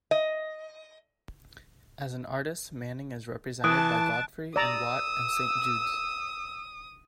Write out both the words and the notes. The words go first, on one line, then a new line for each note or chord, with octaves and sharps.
As an artist Manning is represented by Godfrey and Watt, and Saint Judes.
D#5
E3 A5 D#6 F#6 D7
D5 A#5 D#6 E6